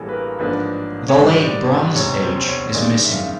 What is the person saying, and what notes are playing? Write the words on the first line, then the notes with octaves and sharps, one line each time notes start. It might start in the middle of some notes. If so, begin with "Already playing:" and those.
The Late Bronze Age is missing.
Already playing: A1 G2 E3 G3 A#3 G#4 A4
B4
A#4
A1 G#2 F3 A#3 D4 B4
C#5
G#2 D#3 G3 C5
D5
D5
E1 D2 C3 C#5
C5
C5
C#5
G2 D#3 G#3 C#4 D5
E5
F5